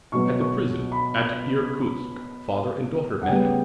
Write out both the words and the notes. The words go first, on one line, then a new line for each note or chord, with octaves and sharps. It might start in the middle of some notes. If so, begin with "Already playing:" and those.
At the prison at Irkutsk father and daughter met.
B2 F#3 B3 C#6
C#6
B5
F#5
C#3 G3 B3 G5